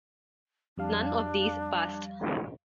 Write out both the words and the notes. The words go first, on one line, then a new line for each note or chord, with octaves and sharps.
None of these passed.
F2 G3 D4 F5